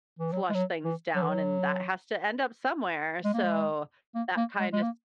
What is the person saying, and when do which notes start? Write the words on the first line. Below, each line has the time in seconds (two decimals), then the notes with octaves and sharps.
flush things down and that has to end up somewhere, so that kinda s
0.19 E3
0.33 F#3
0.50 G#3
0.55 F#3
0.85 E3
1.16 F#3
1.22 E3
1.30 F#3
3.25 G#3
3.34 A#3
3.44 G#3
4.15 A#3
4.37 A#3
4.60 G#3
4.73 G#3
4.83 A#3